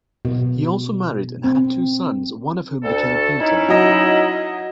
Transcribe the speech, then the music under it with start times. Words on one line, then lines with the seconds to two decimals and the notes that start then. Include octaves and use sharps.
He also married and had two sons, one of whom became a painter.
0.25 B2
1.44 C4
2.83 D2 A4
3.40 C#4 D#4 E4
3.69 F#3 D#5